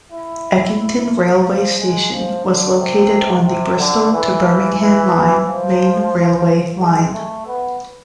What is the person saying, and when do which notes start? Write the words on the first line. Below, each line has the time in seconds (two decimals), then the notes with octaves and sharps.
Eckington railway station was located on the Bristol to Birmingham Line main railway line.
0.12 E4
1.45 F3
1.79 G#3
2.12 F3
2.45 D3
2.79 C3
3.46 C3
3.79 D3
4.12 E3
4.79 E3
5.46 F3
6.80 G#3
7.13 A3
7.46 B3